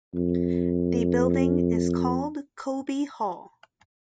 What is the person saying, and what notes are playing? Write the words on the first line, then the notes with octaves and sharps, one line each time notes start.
The building is called Colby Hall.
F2